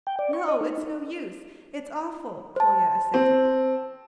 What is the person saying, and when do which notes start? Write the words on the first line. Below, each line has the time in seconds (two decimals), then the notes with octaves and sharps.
"No, it's no use, it's awful," Kolya assented.
0.07 G5
0.19 D5
0.33 C#6
0.48 D#5
0.61 D#4
2.56 C5 A5
3.14 C4